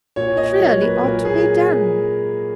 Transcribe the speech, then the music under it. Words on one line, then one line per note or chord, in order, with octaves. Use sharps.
It really ought to be done.
A#2 C#5
D#5
F#3 A#3 C#5
B4
A#2 A#4
G#4